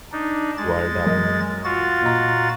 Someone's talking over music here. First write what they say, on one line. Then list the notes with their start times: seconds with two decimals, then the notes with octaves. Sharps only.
Word up!
0.12 D4 D#4
0.57 G#3 A6
1.06 F#2 A#4 D#5
1.64 F4 F#4 A6
2.02 A#2 D#5 A#5